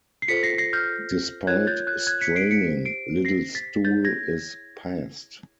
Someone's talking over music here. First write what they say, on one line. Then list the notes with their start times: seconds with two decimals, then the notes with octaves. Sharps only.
Despite straining, little stool is passed.
0.22 C7
0.28 F4 A4 C5 B6 C#7
0.43 A#6 C7
0.58 A#6 C7
0.73 F6 G6
1.47 F4 A#4 C#5 F#6 G#6
1.67 G6 A6
1.87 F#6 G#6
2.07 F#6 G#6
2.21 B6 C#7
2.36 C7 D7
2.51 B6 C#7
2.65 G4 C5
2.85 C7 D7
3.25 A#6 C7
3.55 A6 B6
3.84 E4 G#4 C#5 G6 A6
4.05 G#6 A#6